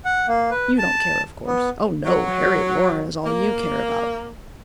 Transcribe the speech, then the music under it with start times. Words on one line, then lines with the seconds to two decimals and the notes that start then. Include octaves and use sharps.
You don't care, of course. Oh, no! Harriet Warren is all you care about.
0.05 F#5
0.28 A#3
0.51 B4
0.78 A5
1.46 B3
2.05 F#3
3.25 A#3